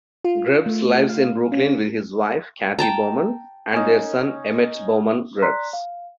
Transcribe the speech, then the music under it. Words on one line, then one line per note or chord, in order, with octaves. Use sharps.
Grubbs lives in Brooklyn with his wife, Cathy Bowman, and their son Emmett Bowman-Grubbs.
F4
A3
F5
C#4
G5 A5 A#5
C#4 D#4
D5 A#5 C6 F#6 B6
F5